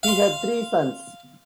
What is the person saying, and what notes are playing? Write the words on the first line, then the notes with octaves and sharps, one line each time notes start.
He had three sons.
F5 C6